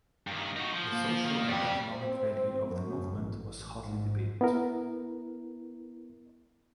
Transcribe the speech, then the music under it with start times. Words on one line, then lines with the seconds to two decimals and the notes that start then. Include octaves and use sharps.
The social and economic value of the movement was hotly debated.
0.27 G2 D#3
0.56 D#4 F#4
0.73 F3
0.93 A#3
1.26 D#3
1.48 F2 D5 G5
1.95 C4
2.68 F#2
3.17 A1
3.79 G#2
4.41 B3 E4 A#4